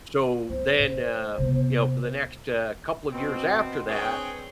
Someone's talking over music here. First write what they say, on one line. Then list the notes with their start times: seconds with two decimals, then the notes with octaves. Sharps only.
so, then, uh, you know, for the next, uh, couple of years after that,
0.50 F#3 C4 C5
0.78 A#2 C5
1.38 C3 B3
3.12 B2 C4
3.89 C4 D4 G#4 B4 C#5 G5